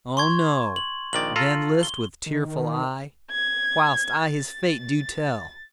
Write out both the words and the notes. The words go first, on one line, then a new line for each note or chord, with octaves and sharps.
O no. Then list with tearful eye, Whilst I his fate do tell.
C6 C#6 G#6
F#7
A#1 D#3 D5 F#7
F4 A4 A#5
G7
D#3
G#6
A6